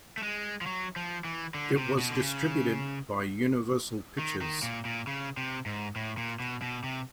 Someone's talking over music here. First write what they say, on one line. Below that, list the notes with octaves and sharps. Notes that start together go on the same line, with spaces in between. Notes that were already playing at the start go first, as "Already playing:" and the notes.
It was distributed by Universal Pictures.
A3
G#3
F3
F#3
F3
E3
D3
C3
B2
D3
C#3
D#3
D#3
A#2
A#2
C#3
C3
G#2
A2
A#2
B2
B2
C3